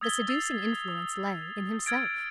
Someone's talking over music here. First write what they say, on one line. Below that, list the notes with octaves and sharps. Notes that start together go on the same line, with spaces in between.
The seducing influence lay in himself.
D#6 E6 G#6 A6 B6 G7
E6 A6 C7 F7
D#6
E6 F6 G#6 A6 D7